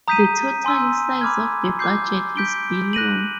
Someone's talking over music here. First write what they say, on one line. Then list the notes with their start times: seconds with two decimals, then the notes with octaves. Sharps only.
The total size of the budget is billion.
0.08 A#5 D#6 G6 B6 D#7
0.65 G#5 C6 E6
1.21 B5 D6 F6 G#6
1.79 D6 G6 C7
2.36 G6 B6 D7 G7
2.93 F#6 A#6 D#7 F#7